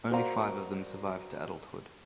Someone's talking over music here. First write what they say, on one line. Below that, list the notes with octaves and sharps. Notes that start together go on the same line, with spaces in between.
Only five of them survived to adulthood.
F#4 A#4 C5 D5 F5 A#5